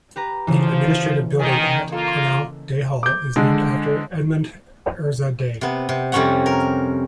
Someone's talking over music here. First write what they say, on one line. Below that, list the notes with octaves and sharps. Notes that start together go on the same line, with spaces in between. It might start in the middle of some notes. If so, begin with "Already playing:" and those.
The administrative building at Cornell, Day Hall, is named after Edmund Ezra Day.
G4 B4 A#5
C#3 E3 F3
D#3 A#3 D#5 G#5
A#3 F4 A4
D6 G6
D3 G#3
C3 B3
C3
F2 C3 G3 C#4 C#5 F#5
A#4